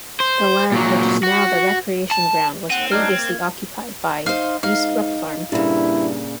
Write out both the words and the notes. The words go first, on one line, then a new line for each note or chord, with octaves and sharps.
The land which is now the recreation ground was previously occupied by Eastbrook Farm.
C5
A#2 F#3
F#4
A5
D#2 C4 F#5 D#7
F#3 D4 D#4 F6 G#6
A#3
D#4 C5 F5
G#2 D#4 F5
G2 A#2 C#3 E4